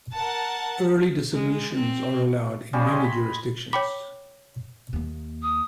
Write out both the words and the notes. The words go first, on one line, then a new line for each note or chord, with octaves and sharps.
Early dissolutions are allowed in many jurisdictions.
A#4 F#5 A5
G#3
C4
C#3 G3 C#4 G4
D#5 G#5 C6
B5
C#5 G5 B5 D6
D#2 A#3
D#6